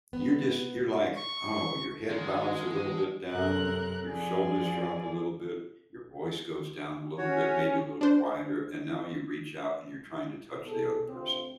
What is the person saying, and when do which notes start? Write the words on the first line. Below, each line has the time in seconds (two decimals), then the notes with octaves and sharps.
You're just you're like, "Oh" your head bows a little bit down, your shoulders drop a little bit, your voice goes down a little bit, maybe a little quieter, and now you reach out and you're trying to touch the other person.
0.13 B3
1.16 C#6
2.09 D#3 G#3 F#4 F#5 A5
3.30 F#2 C3 A4 A#4 F#6
4.06 F2 F3 G#4 D5
7.18 C#4 F#4 C#5
8.01 D4 C5
10.65 B2 G#4 A4
11.08 D2 C3 C4 F4